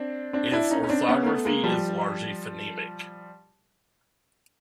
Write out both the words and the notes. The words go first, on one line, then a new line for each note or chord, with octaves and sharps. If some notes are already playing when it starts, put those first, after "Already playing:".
Its orthography is largely phonemic.
Already playing: C4 D4
C4 D4
D4 E4
C#4 D#4
C#4
C4 D4
B3 C#4
A#3
A3 B3
G#3 A#3
F3 G3